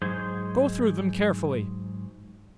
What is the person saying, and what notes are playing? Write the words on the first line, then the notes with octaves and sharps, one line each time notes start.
Go through them carefully.
G#2 F#3 D#4 G#4 C5